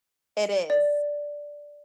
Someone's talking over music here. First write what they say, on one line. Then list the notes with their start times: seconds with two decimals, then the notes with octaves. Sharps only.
It is.
0.70 D5